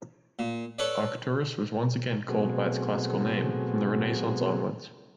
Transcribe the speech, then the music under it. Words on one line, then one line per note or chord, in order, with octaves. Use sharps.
Arcturus was once again called by its classical name from the Renaissance onwards.
A#2
A4 B4 C#5 D5
B2 F#3 A3 C4 F#4 G#4